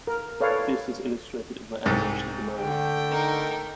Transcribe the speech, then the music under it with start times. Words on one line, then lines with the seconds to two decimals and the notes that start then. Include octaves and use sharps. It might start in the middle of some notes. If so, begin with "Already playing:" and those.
This is illustrated in the animation below.
0.07 A#4
0.40 A4 B4 C#5 D5 F5
1.86 C2 G#2
2.58 D3 A3 G5
3.10 D#4 A#4